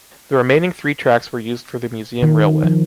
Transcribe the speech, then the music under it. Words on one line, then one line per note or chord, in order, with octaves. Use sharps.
The remaining three tracks were used for the museum railway.
D#3
F3